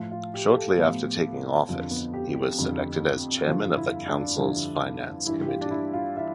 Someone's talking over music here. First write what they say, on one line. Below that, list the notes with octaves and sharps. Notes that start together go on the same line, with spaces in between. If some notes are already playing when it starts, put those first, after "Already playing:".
Shortly after taking office, he was selected as Chairman of the Council's Finance Committee.
Already playing: A2 F3
F4
G4
G4
A4
A2 F3 B3
F2 D3 F3
B3
G4
G4
F2 D3 F3
G2 D3 F3 F4
E4
D4
G2 D3 F3
G2 E3 E4
G4
F4
D4
E4
F4
E3 E5